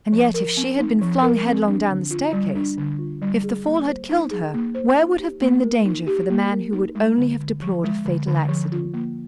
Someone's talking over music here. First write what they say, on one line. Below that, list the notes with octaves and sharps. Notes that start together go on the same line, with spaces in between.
And yet, if she had been flung headlong down the staircase, if the fall had killed her, where would have been the danger for the man who would only have deplored a fatal accident.
F3
A#4
C4
D#4
F3
A#4
C4
D4
D3
F4
G3
D4
D3
F4
G3
G#4
A#3
C5
D#4
G#4
A#3
C5
D#4
G4
A#3
A#4
D#4
G4
A#3
A#4
D#4
G#3
D3
D3
F3
G#3
D3
D3
F3
F4
A#3